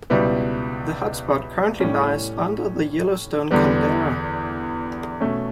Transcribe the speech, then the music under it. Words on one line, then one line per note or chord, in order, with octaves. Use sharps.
The hotspot currently lies under the Yellowstone Caldera.
C#2 B2 G3 B3 E4
A2 G3 C#4
E2 D3 G3 B3
B2 A3 C#4